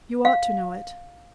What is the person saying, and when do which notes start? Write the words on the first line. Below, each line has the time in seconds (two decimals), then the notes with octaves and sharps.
You ought to know it.
0.25 F5